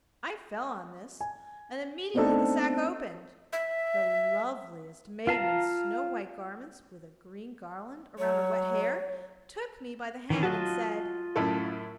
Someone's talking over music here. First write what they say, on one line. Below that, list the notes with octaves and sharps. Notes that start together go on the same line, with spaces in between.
I fell on this, and immediately the sack opened; the loveliest maiden in snow-white garments, with a green garland round her wet hair, took me by the hand, and said!
G#5
A3 B3 C4 D4 D#4 A4
E5
F4 F5 A5 A#5
F#3 C#5
D#3 E3 C#4
F#3 F4 F#4 D#5 A5
F#2 A2 A4